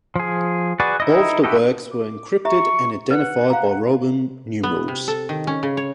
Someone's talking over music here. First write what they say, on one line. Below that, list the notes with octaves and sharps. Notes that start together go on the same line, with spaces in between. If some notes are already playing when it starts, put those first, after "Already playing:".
All of the works were encrypted and identified by Roman numerals.
F3 G#4
F#4 G#4 B4 D5
D#4 E4 D#5
E4 F#4 G4 A4 D#5
D6
G4 E5 A#5 C#6
B4 F#5
F5 A#5
B3
C3
A4
D#3
C#4
C#3
C#5